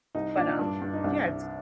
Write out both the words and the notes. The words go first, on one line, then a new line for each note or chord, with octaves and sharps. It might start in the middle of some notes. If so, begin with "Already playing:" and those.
but, um Yeah, it's
C2 D#4
A#2 D4
G2
G2
D#4
C2 D4
C2